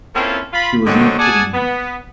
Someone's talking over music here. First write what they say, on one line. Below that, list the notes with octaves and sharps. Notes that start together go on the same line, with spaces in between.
She was not kidding me.
A#3 C4 C#4 E4 F4 A4
F4 B5
D3 D#3 F#3 G3 C4 C#4
G#4 D5 F#5 G#5 A5
B3